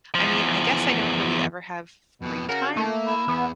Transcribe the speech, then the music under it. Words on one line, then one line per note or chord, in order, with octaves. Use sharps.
I mean, I guess I don't really ever have free time?
E2 F3
F2 B2 B3
C#3 F#4 A#4
A3 A#3
E4
E2 B3